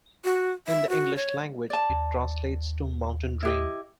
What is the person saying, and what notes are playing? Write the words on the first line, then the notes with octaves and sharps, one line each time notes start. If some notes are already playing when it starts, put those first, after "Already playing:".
In the English language, it translates to mountain dream.
F#4
E5
F#4
C#5
D5 A5
D#2
E4 G4 D#5